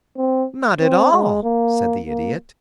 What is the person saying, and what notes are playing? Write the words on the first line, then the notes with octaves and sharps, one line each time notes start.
"Not at all," said the Idiot.
C4
C4
G#3
A#3
A#3